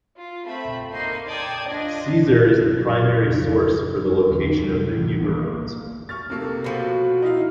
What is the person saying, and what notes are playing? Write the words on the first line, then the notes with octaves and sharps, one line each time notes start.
Caesar is the primary source for the location of the Eburones.
F4
A3 C4 E5 B5
A#3 D#4 C6 G6
A4 D5 G5 A5 D#6 G#6
D4 F4 D#5
F#1 B2 D#3
F#1 F#3
F3 C4
D1 F2 C#3 F3
F#1 F#2
E2 D3 C#4
F#2 C#3 G3
C3
A2 E3
D#3 E3 B3
A#3
C#6 F6 A6
C3 A#3 A4
B2 F3 F#4
D#4 E4 F5